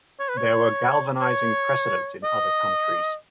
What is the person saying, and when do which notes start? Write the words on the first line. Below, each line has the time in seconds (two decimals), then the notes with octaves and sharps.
There were galvanizing precedents in other countries.
0.20 C#5
0.29 B4
0.37 C#5
1.22 C#5
2.23 D#5